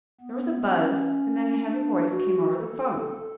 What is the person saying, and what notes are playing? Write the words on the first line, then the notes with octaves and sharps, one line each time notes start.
There was a buzz and then a heavy voice came over the 'phone.
B3
C#4
D4
F#4
A4
A4